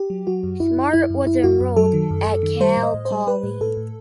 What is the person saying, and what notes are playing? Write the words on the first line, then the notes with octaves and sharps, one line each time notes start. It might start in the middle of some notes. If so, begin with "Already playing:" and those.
Smart was enrolled at Cal Poly.
Already playing: G4
F#3
F#3 F#4
F#2
F#2 E4
F#2
F#2 E4
F#2
F#2 E4
F#2 F#4
F#2
F#3 A4
D#3
F#2
F#2
D#3
G3 C5
A2
D#5
A2
C5
G3
G3 B4
A2
A2 A4
A2